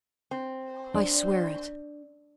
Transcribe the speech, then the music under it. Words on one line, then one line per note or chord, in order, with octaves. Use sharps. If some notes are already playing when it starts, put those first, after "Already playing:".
"I swear it."
C4
D4